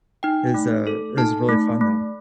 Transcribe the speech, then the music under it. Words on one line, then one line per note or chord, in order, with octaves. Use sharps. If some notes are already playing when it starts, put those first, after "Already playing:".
is, uh, is really fun though.
D#4 G5
A3
A4
D#4 A5
A3
A3